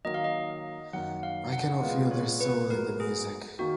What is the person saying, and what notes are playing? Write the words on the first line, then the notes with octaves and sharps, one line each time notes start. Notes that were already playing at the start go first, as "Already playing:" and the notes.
I cannot feel their soul in the music.
D#3 F#3 A#3 D#5
F5
D#5
F#2 D#3 A#3 F#5
F5
F#5
A#2 G#3 B3 F4
C#5
B4
G#2 F#3 B3 A#4
G#4
D#3 A#3 F#4